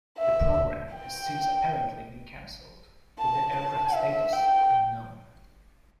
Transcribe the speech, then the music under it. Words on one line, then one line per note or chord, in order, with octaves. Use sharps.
The programme has since apparently been cancelled, with the aircraft's status unknown.
E5
G5
A5
A5
E5
G5